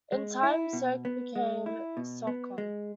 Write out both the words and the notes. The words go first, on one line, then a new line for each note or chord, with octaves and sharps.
In time, "Soke" became "Socon".
G#3
E4
B2
B3
G#3
E4
B2
B3
G#3